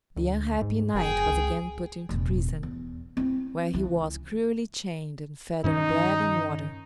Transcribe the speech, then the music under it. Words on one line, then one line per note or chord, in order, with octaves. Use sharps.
The unhappy knight was again put into prison, where he was cruelly chained and fed on bread and water.
D2
G#2
F#1 G#4 G5
C#2
E1 A1
E2
C4 E4
C#2 E3
G2 D#3 C#4 D#4